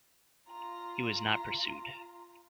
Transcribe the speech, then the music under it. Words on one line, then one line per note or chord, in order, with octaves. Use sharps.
He was not pursued.
F4 A#5